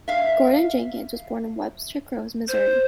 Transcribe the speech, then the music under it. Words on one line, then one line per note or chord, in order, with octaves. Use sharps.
Gordon Jenkins was born in Webster Groves, Missouri.
E5 F5
C5